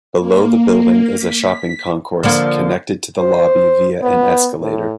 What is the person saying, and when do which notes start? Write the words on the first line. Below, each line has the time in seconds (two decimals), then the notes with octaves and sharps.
Below the building is a shopping concourse, connected to the lobby via an escalator.
0.19 A#3
1.15 B6
2.23 D3 F3 A#3
3.19 C5
4.03 B3
4.61 A2